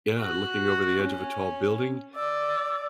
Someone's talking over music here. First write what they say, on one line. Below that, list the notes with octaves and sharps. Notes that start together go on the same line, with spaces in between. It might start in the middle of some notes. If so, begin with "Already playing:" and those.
Yeah, looking over the edge of a tall building.
F#4
C#4
D5 E6